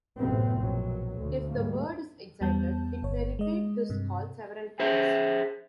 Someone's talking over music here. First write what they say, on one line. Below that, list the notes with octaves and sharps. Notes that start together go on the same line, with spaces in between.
If the bird is excited, it may repeat this call several times.
A1 F#2 A2 C3 B3 C4
A#1 B2 F#3
D2
G#2 G3 A3 A#3
E2 G3 B3 A5 G6
G1 C#5
G#3 D#5
G2 C3
G#4 C5 E5